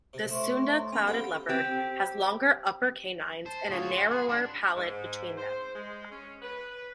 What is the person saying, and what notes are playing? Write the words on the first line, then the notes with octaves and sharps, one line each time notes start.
The Sunda clouded leopard has longer upper canines and a narrower palate between them.
C3
A2 C5 E5 C6 C#6
B3 C#4 A#5 B5
C4 F4 G4 A4 F#5 G5
C4 G4
C5 A5
D2 F4 G#4 C#5
F#4
F#5 C6
G#4
D4 B5
G#2
C5
G#3
C#4
B4